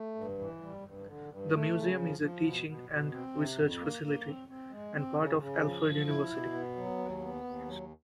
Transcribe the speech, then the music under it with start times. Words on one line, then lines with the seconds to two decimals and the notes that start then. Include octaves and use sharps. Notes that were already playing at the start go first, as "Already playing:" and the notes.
The museum is a teaching and research facility, and part of Alfred University.
Already playing: A3
0.15 G2
0.39 E3
0.61 G3
0.83 G2
1.06 D3
1.29 G2
1.52 A3
1.75 C#3
1.98 F3
2.20 F3
2.43 B2
2.66 B2
2.89 B2
3.12 C4
3.34 C3
3.57 F2
3.79 A#3
4.03 A#3
4.25 C4
4.48 C4
4.70 G#3
4.93 C4
5.16 C#3
5.39 C#3
5.62 F3
5.84 F3
6.07 E4
6.30 B2
6.53 B3
6.76 F#3
6.98 D#2
7.21 B3
7.44 D#2
7.66 F#3